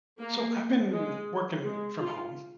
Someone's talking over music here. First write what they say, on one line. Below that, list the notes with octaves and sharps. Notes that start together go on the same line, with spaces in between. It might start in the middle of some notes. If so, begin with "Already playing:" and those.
So, I've been working from home
A#3
G#3
G#3
F4